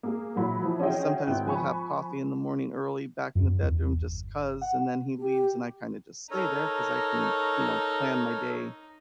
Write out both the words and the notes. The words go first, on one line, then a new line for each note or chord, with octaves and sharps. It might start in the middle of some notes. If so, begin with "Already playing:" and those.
'cause sometimes we'll have coffee in the morning early back in the bedroom just 'cause, and then he leaves and I kinda just stay there 'cause I can, you know, plan my day
A#3 G#4
A#2 E3 F#3 B5
E3 F3
C#4 E4 F#4 G#4 D#5 G5
G#1 B3 E4 G5 F#6
F3 G#5 B5 C#6
F#2
E2
G1
F#5
G4
D#4 A4 A#4 C#5